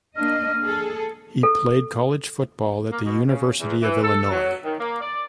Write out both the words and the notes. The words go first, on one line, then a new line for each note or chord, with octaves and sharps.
He played college football at the University of Illinois.
A#3 D4 D#5 F6
G#4 A4
A4
A#3
B2
C#3
E2
E3
A4
F#3
D#3
A#3
D5